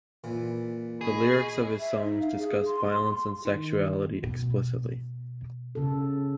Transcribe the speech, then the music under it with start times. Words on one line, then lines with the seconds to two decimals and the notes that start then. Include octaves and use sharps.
The lyrics of his songs discuss violence and sexuality explicitly.
0.24 A#2 E3
1.01 G#4 D#5 B5 C#6
1.79 E5
2.04 D#4
2.21 F5
2.38 G#4
2.67 C6
3.45 D#3
4.23 B2
5.75 C#3 A4